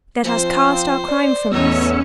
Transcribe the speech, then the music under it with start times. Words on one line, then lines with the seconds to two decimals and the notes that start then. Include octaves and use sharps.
Let us cast our crime from us.
0.24 F3 C4 F4 C5
1.08 D5
1.51 E2 A2 B3 C#4 D#4 C#5 E6 C#7